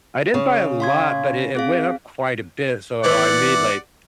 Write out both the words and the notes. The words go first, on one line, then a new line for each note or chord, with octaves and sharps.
I didn't buy a lot, but it it went up quite a bit, so I I made, like,
C#3
F5 C6 G#6
C4 G#4 F5
D#3 E3 B3 D5 F#5